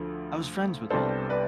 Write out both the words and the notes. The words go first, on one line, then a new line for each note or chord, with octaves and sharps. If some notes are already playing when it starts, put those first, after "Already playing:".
I was friends with all of 'em,
Already playing: D2 D3 F3
C2 C3 G3 B3 D4 A4 C5
B4 D5